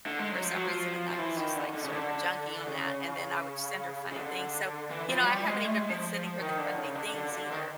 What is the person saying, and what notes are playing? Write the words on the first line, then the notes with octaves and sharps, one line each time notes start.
for some reason and I was just, like, sort of a junkie on that, and then I would send her funny things, so, you know, I haven't even been sending her the funny things either
D3
G#3
F#3
F3
F#3
F3
F3
E3
D#3
D3
D3
C#3
D3
C#3
C#3
D3
E3
F3
F#3
G3
G#3
A3
G#3
F3
D#3
D3
C#3
D3
D3
D3
D#3